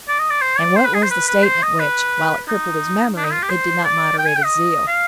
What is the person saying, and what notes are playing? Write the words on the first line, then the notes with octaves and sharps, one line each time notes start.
And what was the statement which, while it crippled his memory, it did not moderate his zeal?
D5
D#5
D5
C5
D5
C5
B4
G#4
C5
B4
B4
C5
D#5
B4
D#4
D4
D#4
F4
G4
C5
D5
G5
G#5
G5
D#5
F5